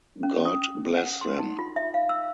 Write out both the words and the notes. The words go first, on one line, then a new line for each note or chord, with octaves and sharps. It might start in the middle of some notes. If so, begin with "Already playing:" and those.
God bless them.
C#4
D#6
F#5
C6
D#4
F4
E5
F5
E6